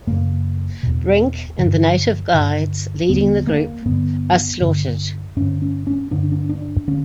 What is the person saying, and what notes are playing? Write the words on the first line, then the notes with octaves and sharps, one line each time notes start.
Brink and the native guides leading the group are slaughtered.
F#2 C#3 A#3
E2 B2
G2 D3
G2 D3
E2 D3 B3
A#3
G2 D3 B3
G2 D3
G2 D3 C#4
C#4
C#4
G2 D3 D4
D4
D4
D3 C#4